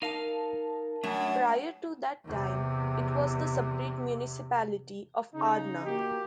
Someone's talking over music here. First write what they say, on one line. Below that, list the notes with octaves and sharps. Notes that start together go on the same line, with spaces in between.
Prior to that time, it was the separate municipality of Arna.
D#4 A#4 F5 A5
F#2 A3 D4
E2 C3
C#3 D#4
E3 A#3 F#4 G4